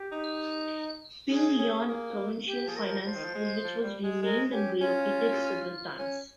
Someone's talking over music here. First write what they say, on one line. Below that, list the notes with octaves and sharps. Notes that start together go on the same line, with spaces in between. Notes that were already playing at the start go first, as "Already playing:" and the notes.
PingYuan Provincial Finance School, which was renamed and relocated several times.
Already playing: G4
D#4
C#4 G#4
C#4
A#3
G4
F3 G#4
A#4
F3
F3 C5
D#3
F3
G#3
F3
G3
G#3
G#3 A#4
C#4 G4
C#4 F4
C#4